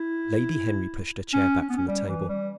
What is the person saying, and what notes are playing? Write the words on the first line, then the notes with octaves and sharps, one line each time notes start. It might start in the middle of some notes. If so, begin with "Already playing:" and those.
Lady Henry pushed her chair back from the table.
Already playing: E4
C#4
C#4
B3
C#4
G3
E3
G3